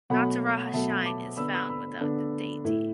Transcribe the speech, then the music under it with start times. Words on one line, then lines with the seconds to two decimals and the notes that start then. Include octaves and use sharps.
Nataraja shrine is found without the deity.
0.10 B2 F#3 A3 F#5 B5
0.73 B2 F#3 A3 E5 A5
1.05 A5 D6
1.37 D3 B3 D4 B5 E6
1.54 B5 E6
1.69 B5 E6
2.00 D3 B3 D4
2.64 A2 A3 E4